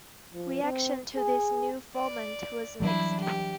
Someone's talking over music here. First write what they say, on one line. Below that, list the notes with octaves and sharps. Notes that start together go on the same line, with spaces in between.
Reaction to this new format was mixed.
F3
C4
G#4
D5
E3 F#3 G3 D4 E4
G4